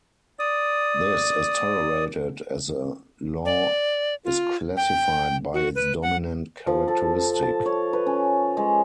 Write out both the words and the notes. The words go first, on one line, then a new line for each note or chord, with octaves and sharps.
This is tolerated, as a law is classified by its dominant characteristic.
D5 D#6
D5
F4
G5
F#4
B4
F#5
F3
A4
A5
C#5
B4
C#4
G#3